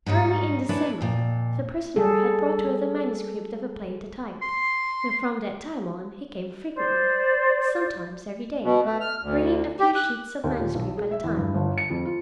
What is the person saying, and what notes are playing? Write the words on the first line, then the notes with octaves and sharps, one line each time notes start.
Early in December the prisoner had brought her the manuscript of a play to type, and from that time on he came frequently, sometimes every day, bringing a few sheets of manuscript at a time.
G#2 G3 C#4 D#4
C#4 D4 E4 B4 C#5
F2 A#2
G3 G#4 A4
C6
C5 D5
B2
A3
F6
D2
G4
F#6
D#2
A#2
B1
G#4
E5
E2
G2
G1
C#7
F2
F4